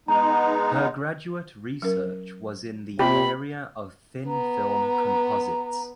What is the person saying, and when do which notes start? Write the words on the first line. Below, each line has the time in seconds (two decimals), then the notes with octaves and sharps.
Her graduate research was in the area of thin film composites.
0.08 G#3 B3 D#4 A#5
1.82 F#3 C#4 A#4
2.99 C3 A#3 B3 F4 G4 B5
4.27 B3 A#5